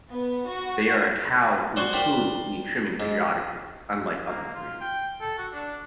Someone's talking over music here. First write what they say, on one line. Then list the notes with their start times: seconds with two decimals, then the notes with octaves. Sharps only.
They are a cow whose hooves need trimming periodically, unlike other breeds.
0.11 B3
0.47 F#4
1.76 F#4 C5 D5
1.93 A#4 C5 D5 G5 B5
3.00 G#2
4.29 A#3
4.55 F4
4.81 G5
5.21 A4
5.38 F#4
5.53 D4